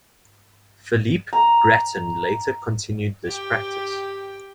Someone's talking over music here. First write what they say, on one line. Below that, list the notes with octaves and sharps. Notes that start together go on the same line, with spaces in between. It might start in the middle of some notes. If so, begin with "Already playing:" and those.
Philippe Graton later continued this practice.
A#5
G4 G5